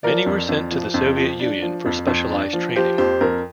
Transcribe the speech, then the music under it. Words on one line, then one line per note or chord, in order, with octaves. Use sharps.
Many were sent to the Soviet Union for specialised training.
F3 A#4 D5
F2
F2
F3
F2
F3
D4
F3
F2
F2
D4
F3
F3 G4 C5
F2 G4 C5
F2 A#4